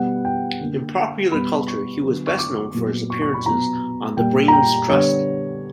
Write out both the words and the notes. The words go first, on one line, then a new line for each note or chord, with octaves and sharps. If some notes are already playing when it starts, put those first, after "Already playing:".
In popular culture he was best known for his appearances on The Brains Trust.
Already playing: B2 G3 B3 F#5
G5
D3 A#3
B2 G3 B3 B5
C#6
D3 F#3 B3
C#6
D6
A#2 F#3 B3
C#6
C#6
B5
B2 F#3 B3 A#5
A#2 G3 A#3 G5
A#5
G5
D3 G3 B3 C#5